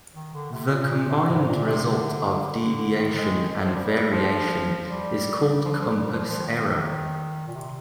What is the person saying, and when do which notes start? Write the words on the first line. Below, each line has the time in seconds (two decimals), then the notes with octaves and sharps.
The combined result of Deviation and Variation is called Compass Error.
0.14 D#3
0.33 D3
0.52 C3
0.67 C3
0.71 A#2
0.89 A#2
1.09 C3
1.27 G#2
1.47 A#2
1.67 C3
1.84 D3
2.61 D3
2.99 D#3
3.18 G#3
3.65 F3
3.75 G3
4.12 F3
4.89 G3
5.65 F3
5.72 G3
5.81 F3
5.88 G3
5.97 F3
6.04 G3
6.12 F3
6.20 G3
6.28 F3
6.40 D#3
7.47 A#2
7.55 C3